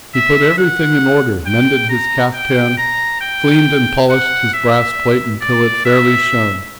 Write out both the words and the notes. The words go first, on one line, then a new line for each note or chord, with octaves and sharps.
He put everything in order, mended his kaftan, cleaned and polished his brass plate until it fairly shone.
E5
F#5
G5
A#5
G5
A#5
G5
F#5
E5
D5
E5